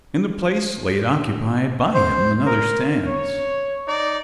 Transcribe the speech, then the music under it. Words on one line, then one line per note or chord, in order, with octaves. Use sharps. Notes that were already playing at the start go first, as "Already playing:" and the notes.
In the place late occupied by him another stands.
C5
A#4
C#5
D#4 D5